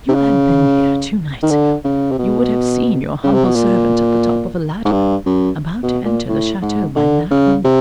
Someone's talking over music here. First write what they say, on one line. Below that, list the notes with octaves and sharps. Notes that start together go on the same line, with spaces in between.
"If you had been here, two nights ago, you would have seen your humble servant at the top of a ladder, about to enter the chateau by that window."
C3
C#3
D#3
D3
C#3
C3
B2
C#3
C3
B2
A#2
G#2
G2
F#2
B2
A#2
A2
G#2
D3
C#3
C3